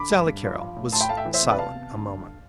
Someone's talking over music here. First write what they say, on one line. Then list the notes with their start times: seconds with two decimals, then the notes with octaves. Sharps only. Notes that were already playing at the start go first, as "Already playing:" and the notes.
Sally Carrol was silent a moment.
Already playing: D3 B5 D6
0.10 G2
0.26 G2
0.43 F3
0.60 F3
0.76 A2
0.92 A2 A5 C6
1.01 G5 B5
1.09 A3 F5 A5
1.17 E5 G5
1.25 E3
1.34 C5 E5
1.42 C3
1.50 B4 D5
1.58 C3 F5 A5
1.75 B3
1.91 D3
2.08 G2